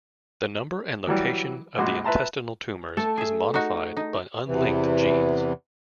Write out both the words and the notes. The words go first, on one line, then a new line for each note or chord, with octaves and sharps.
The number and location of the intestinal tumors is modified by unlinked genes.
E3 F#3 G3
A#1 G#3 F#4 C6 D6
B4 E5 A5 A#5 C6
A3 A4
G#4 E5
D#4 F#4
D#4
E2 C3 E3